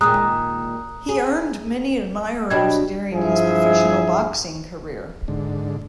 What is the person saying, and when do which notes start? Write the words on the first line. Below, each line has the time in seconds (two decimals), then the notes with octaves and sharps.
He earned many admirers during his professional boxing career.
0.01 A#2 D#3 G#3 A#5 D#6 F#6
1.09 G#4
2.50 B2 G3 D4 D#5 G#6
3.13 G2 F3 E4 G#4 E5 G#5
5.28 G#2 D3